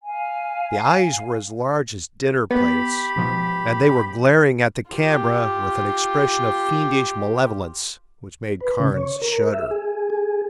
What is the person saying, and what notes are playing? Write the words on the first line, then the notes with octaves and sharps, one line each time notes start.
The eyes were as large as dinner plates, and they were glaring at the camera with an expression of fiendish malevolence which made Carnes shudder.
F5 G#5
B3 G4 B5
G#2 B2 F3
F4 G4
B4
C#3
C#5
A#4
E5
G#4
G#4